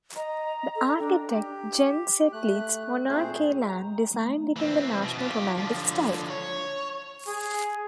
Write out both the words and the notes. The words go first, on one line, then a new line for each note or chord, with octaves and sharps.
The architect, Jens Zetlitz Monrad Kielland, designed it in the National Romantic style.
D#5 A#5
A4
D4 G5
G4
A3 F#6
A#2 A3 C4 G#4 C5
A#5
A3
E3 C4
B2
F4 G4
D3 F3
C#5
G#4